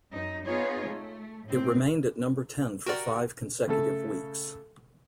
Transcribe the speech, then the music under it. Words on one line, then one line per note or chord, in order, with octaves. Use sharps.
It remained at number ten for five consecutive weeks.
F#2 D#4
B3 D#4 F4 G#4 C#5
A3
A2 C4
F#4 G4 A#4 D5 F#5
C#3 A3 A4